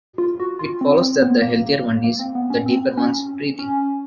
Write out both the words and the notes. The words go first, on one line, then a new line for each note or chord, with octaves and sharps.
It follows that the healthier one is, the deeper one's breathing.
F4
F#4
F4
C4
C4
B3
A#3
A#3
A#3
C4
B3
C#4
C4
C#4
C#4